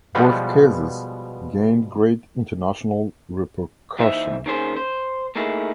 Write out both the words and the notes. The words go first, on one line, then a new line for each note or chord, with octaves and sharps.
Both cases gained great international repercussion.
B2 F3 G3 G#3 B3
A#2 E3 D#4 C5 D#5 E5
D#3 A#3 C#4 G#4 C5
C5
A3 A#3 D#4 E4 G#4